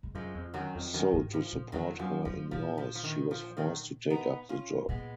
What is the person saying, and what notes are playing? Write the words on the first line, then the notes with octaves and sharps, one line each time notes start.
So to support her in laws she was forced to take up the job.
G#2
F#2 F3 G#3
F2
F#2 D#3 F#3
F2
F#2 D#3
G#2
F3
A#2
F2 D#3 F#3
F#2 F3
F#2 F3
A#2 F3
F3
F3
D#3
F3
D#3 F#3
B3 D#4
C#4 F4
A#2 G#3 B3